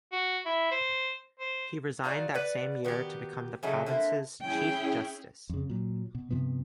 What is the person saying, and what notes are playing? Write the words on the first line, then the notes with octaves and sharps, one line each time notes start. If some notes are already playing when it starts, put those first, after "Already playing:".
He resigned that same year to become the province's Chief Justice.
F#4
E4
C5
C5
D#4 F4 F#4 D5
B4 D5 F#5
D#3 B3 F#4 G4
C#3 F#3 A3 D#4
D3 A#3 C4 E4
C#4 E4 G#4 G5
F2 C#3
A#2 F#3
B2
G2 C3 F3 B3